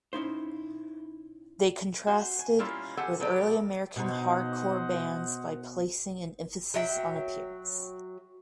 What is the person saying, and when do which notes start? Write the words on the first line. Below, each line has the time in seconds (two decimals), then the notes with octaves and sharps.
They contrasted with early American hardcore bands by placing an emphasis on appearance.
0.13 C#4 D#4 E4 C5
2.07 F#4 C5
2.39 G#5
2.59 G3 A#3 C#4 E4 F4
2.97 G4 A4 C5 F#5 G#5
3.20 B2 F#3 G4 A4 D5
3.96 B2 D#4 C5 D#5 F#5
6.74 F#3 E5 G5